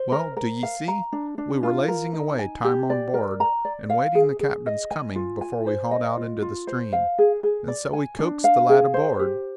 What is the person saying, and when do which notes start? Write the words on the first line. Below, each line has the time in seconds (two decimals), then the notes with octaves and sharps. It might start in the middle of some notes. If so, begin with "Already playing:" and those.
Well, do ye see, we were lazing away time on board, and waiting the captain's coming before we hauled out into the stream, and so we coaxed the lad aboard.
Already playing: C5
0.12 A#4
0.37 A#4
0.63 F5
0.88 A#5
1.13 D4
1.38 D4
1.63 F4
1.88 A#4
2.13 D#4
2.39 G#5
2.64 G4
2.90 D5
3.14 A#4
3.40 A#5
3.65 D5
3.90 F5
4.15 G#4
4.40 G#4
4.66 D#5
4.91 G#5
5.16 F4
5.41 G#5
5.67 C5
5.91 D#5
6.17 F4
6.42 F4
6.67 C5
6.93 F5
7.18 G#4
7.43 G#4
7.68 D5
7.93 G#5
8.19 D4
8.44 F5
8.69 G#4
8.94 C5
9.19 G4